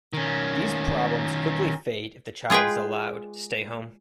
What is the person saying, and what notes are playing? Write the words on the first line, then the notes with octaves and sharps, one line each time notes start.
These problems quickly fade if the child is allowed to stay home.
D#3 C#4
G#3 F4 G#4 B4 G5